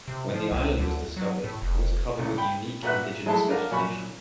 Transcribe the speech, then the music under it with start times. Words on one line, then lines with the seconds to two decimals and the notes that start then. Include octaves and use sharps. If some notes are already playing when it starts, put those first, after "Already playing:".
When the island was discovered, it was covered with unique indigenous vegetation.
0.08 C3
0.34 F3
0.51 C2
0.79 D2
1.17 F#3
1.44 A2
1.62 F1
2.17 C#2 A#2
2.37 G5 B5
2.83 A#2 F#4 B4 E5 F#6
3.26 F#3 G#3 A3 E4 A5
3.48 D4 F#4 A#4 F5
3.71 A#2 F#3 G#5 B5 C#6